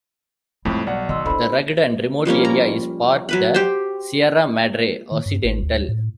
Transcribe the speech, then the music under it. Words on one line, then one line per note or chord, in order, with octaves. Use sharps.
The rugged and remote area is part the Sierra Madre Occidental.
F2 A2 G3 G#3
B1 D5 F#5
D#3 D#5 C6 E6
D4 E4 A4 C5 B5
F3 G3 A#3 C#4
A#5
F#3 B4 B5
G4 C5
D#3
G2
G#1
D2
A2